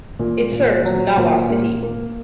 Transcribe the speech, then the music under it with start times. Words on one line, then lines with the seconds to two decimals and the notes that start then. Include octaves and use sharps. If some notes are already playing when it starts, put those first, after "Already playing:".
It serves Nawa City.
0.19 A#2
0.52 A#2
0.85 F#3
1.17 A#2
1.50 A#3
1.83 A#3